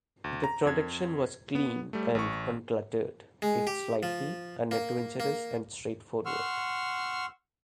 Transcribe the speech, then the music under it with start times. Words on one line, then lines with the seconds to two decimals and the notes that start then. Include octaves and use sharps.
The production was clean and uncluttered, if slightly, unadventurous and straight forward.
0.24 D2
0.44 A#5
0.65 F2 G#6
1.55 B3
1.93 G3 A3
2.15 A1 C#6
3.42 G#3
3.67 G4
4.03 F3
4.71 A#3
5.20 A#3
6.26 F#5 C6 C#6 E6 F6